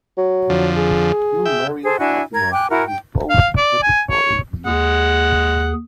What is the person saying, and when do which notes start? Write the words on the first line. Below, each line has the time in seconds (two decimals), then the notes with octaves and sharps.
You'll marry Fatima, and you'll both be happy for a year.
0.18 F#3
0.50 F2 D3 F3
0.77 G#4
1.45 E5 G5
1.84 G#4 A4 C5
1.99 D4 E4 F#4 G#5
2.33 A#4 A#5 G#6
2.52 G5 G#5 D6 F#6
2.70 E4 F#4 A#4 G#5
2.84 G5
3.30 F5
3.57 D5
3.83 G#5
4.11 C#5
4.66 D#2 G#3 G#4 F#5